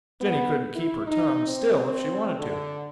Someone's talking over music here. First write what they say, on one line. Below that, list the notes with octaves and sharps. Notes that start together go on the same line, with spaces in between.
Jenny couldn't keep her tongue still if she wanted to.
B3
E4
D#4
C4
D3